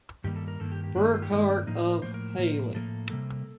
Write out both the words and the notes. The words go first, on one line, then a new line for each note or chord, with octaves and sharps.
Burkhart of Hailey.
G2 D#3 G3 A#3 G4
A4
A#4
G2 D#3 A#3 A4
G4
G4
G2 D#3 G3 A#3 D4
D#4
F4
G4
G2 D#3 G3 A#3 D#4
D4
A2 F3 A#3 D#4
D5
A#4
A2 F3 A#3 C5
A#4
A2 F3 A#3
A2 F3 A#3 A4
C3 G3 A#3 A4